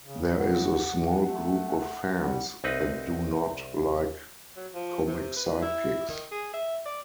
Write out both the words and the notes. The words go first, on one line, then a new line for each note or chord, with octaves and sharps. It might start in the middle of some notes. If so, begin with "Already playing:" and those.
There is a small group of fans that do not like comic sidekicks.
C#3
F#5
A3 F#5
G3 F#5
C2 C4 D#4 B4
F#3
F3
C3
B4
E4
D#3
G#4
E5
D5